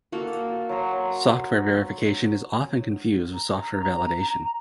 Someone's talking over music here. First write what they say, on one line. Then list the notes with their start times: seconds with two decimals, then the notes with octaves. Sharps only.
Software verification is often confused with software validation.
0.12 A#3 F#4 A4
0.69 F#3 A#5 C6
3.34 A#5